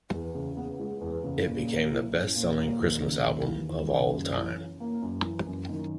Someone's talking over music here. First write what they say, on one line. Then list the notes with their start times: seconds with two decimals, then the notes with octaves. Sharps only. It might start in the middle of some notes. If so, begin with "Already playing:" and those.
It became the best selling Christmas album of all time.
0.13 E2
0.35 C#3
0.57 B3
0.79 G#3
1.01 E2
1.24 C#3
1.46 A#2
1.68 A#3
1.90 E4
2.13 C#4
2.35 A#2
2.57 A#3
2.79 D#2
3.02 C#3
3.23 D#2
3.46 E3
3.69 D#2
3.91 C#3
4.13 F#2
4.36 E3
4.58 C#4
4.80 A#3
5.02 F#2
5.24 E3
5.47 F#2
5.69 D#3